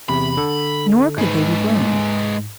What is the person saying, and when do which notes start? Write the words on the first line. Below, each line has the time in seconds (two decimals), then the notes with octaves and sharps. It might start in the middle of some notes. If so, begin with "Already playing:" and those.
Nor could they be blamed.
0.09 E2 C3 B5
0.37 D3 A4
1.18 G#2 G#3 B4